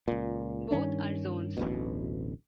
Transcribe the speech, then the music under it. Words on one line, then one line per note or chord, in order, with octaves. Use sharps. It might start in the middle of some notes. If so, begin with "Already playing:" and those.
Both are zones.
C#2 A#2
G2 D#3 C#4 D4
D1 A1 D2 B2